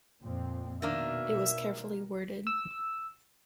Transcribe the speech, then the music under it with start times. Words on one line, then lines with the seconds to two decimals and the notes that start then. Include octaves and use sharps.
It was carefully worded.
0.22 F2 A#2 C4
0.82 B2 D#3 A#3 D4 E5
2.47 E6